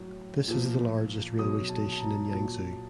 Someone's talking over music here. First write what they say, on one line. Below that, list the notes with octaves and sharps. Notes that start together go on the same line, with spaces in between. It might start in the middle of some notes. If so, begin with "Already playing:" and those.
This is the largest railway station in Yangzhou.
Already playing: A2 F#3
A#2 F3
B2 F#3 D#6
A5
A5
A#5
A#2 F#3 A5